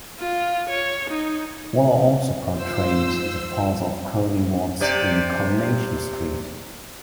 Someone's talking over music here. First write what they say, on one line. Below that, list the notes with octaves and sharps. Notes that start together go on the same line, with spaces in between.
Waller also portrayed the father of Curly Watts in "Coronation Street".
F4
C#5
D#4
G#2 F4 C5 E6
C3 G4 D5